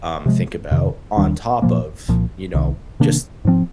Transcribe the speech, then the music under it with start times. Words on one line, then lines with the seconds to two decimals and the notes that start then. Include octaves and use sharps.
um, think about on top of, you know, just
0.26 C3 F3 G#3
0.71 F2 C3 D#3
1.17 D#2 D#3 G3 D4
1.62 A#2 F3 A#3
2.08 C2 A#2 F3
2.54 C2 C3 D#3
3.00 C3 D#3 A#3 D4
3.45 G#2 F3 C4